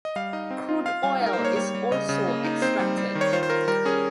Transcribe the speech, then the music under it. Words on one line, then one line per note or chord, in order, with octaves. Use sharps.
Crude oil is also extracted.
D#5
G3 F5
D#4 D#5
C4
F4
F4 F5
G3 F5
D#4
A#4
C5
A#3
C#5
G3 C#5
G3
C#3 D#5
C#3
A#3
D#4
C4 C5
G3
G3
D#3
C#5
F4 C5
C5
F4 A#4
G3 A#4
C#4 G#4